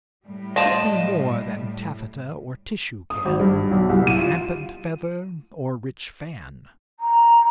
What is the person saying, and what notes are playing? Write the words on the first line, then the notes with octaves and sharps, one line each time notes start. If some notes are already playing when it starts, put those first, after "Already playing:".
Something more than Taffata or tissue can, Or rampant feather, or rich fan.
A2 G3
F3 D4 D#5 A5
D#6
G#1
G2
B1
C2
D#7
F4
A#5